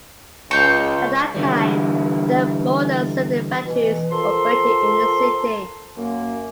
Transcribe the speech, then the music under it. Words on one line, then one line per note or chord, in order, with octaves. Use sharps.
At that time, there were more than seventy factories operating in the city.
C#2 F5 G5 C#6
D3 E3 G3
B2 E3
F3 A4 A#4 C6
F#2 A#3